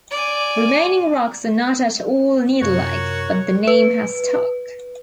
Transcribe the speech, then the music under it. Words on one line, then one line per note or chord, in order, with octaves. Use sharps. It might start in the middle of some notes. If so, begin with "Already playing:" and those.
The remaining rocks are not at all needle-like, but the name has stuck.
D5 G#5
F#2 C3 F4 F#4 A#4 C#5
B4